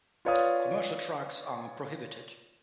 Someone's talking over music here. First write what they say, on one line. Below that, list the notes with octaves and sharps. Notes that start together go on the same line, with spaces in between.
Commercial trucks are prohibited.
F4 B4 C#5 D5 F5 D#6